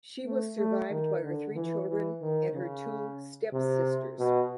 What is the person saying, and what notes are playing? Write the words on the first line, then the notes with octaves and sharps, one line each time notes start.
She was survived by her three children and her two stepsisters.
A3
A3
D#3
D3
E3
E3
D#3
C#3
C3
B2